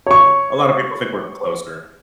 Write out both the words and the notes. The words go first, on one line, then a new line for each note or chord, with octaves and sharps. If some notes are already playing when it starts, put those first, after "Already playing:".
A lotta people think we're closer,
C#5 C#6